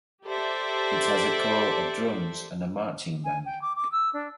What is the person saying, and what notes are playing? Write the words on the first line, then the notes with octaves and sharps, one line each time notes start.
It has a Corps of Drums and a "Marching" Band.
G4 A4 C5 D5 E5
G#5
G5
D6
D6
E6
D4